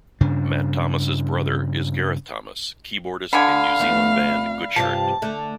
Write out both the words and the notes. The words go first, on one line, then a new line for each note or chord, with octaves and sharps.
Matt Thomas' brother is Gareth Thomas, keyboardist in New Zealand band Goodshirt.
G2 C#3 D4
D3 F5 G#5 B5
F2 A3 B3
G2 C3 F3 A5
D3 A3